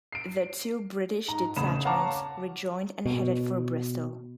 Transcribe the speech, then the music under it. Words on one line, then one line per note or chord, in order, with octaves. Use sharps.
The two British detachments rejoined and headed for Bristol.
C7 D7
G#2 A#5
E1 A1 C#3 B5 E7
C#5 F5 F#5 A5 A#5 D6
B2